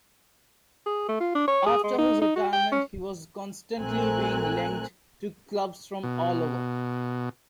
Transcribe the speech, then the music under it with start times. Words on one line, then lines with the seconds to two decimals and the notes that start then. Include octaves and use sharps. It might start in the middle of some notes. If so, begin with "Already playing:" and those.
After his retirement he was constantly being linked to clubs from all over.
0.86 G#4
1.09 A3
1.20 F4
1.35 D4
1.48 C#5
1.66 G#4
1.83 G#3
1.98 D#4
2.22 D#4
2.36 F#4
2.52 G5
2.72 C#4
3.77 A#1 A3 C4 A#4 G#5 F#6
6.03 B2